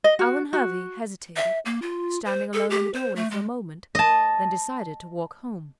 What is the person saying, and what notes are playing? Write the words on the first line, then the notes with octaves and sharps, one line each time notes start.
Alvan Hervey hesitated, standing alone in the doorway for a moment; then decided to walk home.
D#5
F#4
F#4
E5
A#3
F4
C5
A4
G4
C5
A3
G#3
D#5 A5